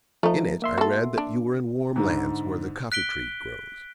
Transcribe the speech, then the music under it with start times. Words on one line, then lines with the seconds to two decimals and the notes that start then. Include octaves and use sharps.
In it I read that you were in warm lands where the coffee-tree grows.
0.23 F3 A3 D#4
0.62 A#3 E5 C6
0.78 F#4 A4
1.18 D4
1.96 G#2 D3
2.92 F#6 B6 D7 G7